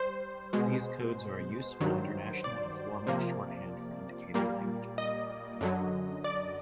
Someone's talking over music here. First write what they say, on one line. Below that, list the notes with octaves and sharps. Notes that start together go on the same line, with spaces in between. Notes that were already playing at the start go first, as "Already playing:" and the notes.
These codes are a useful international and formal, shorthand for indicating languages.
Already playing: G3 C5
B2 G#3
G2 D#3 F#3
D5
C3 F3 A#3
A#2 G3 A#3
D#5
F#2 D3 F#3
D5